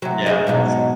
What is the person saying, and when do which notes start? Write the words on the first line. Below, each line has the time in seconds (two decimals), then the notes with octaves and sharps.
Yeah, that is it.
0.02 C3 F#3
0.26 G#4 D#5
0.47 G#2 B2 F#3